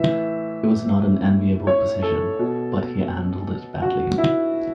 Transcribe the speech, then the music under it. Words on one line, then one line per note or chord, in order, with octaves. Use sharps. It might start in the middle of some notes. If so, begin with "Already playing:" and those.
It was not an enviable position, but he handled it badly.
Already playing: A2 E3 E5
C#5
A4
B2
F#4
E4